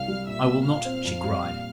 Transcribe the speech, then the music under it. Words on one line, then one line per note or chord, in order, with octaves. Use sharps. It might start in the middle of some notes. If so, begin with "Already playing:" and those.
"I will not!" she cried.
Already playing: C2 F5 F6
G3
A#2 E5 E6
A#3
A#2 F5 F6
C4
F2
G3
A#2